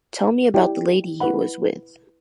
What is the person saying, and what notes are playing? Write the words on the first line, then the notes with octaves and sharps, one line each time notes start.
Tell me about the lady he was with.
E4 G4 D5 G5
E4 B4 F#5 B5